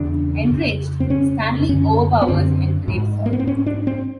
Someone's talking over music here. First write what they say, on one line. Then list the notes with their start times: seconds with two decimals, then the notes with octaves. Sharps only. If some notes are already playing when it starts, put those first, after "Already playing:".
Enraged, Stanley overpowers and rapes her.
Already playing: E2 C#3 D4
0.50 F2 C#3
1.00 C4
1.10 F2 C#3 C#4
1.69 F#2 D3 C#4
2.22 B3
2.28 F#2 D3 C4
2.88 G#2
3.26 A#3
3.33 B3
3.40 C4
3.47 G#2 C#4
3.66 D4
3.87 C4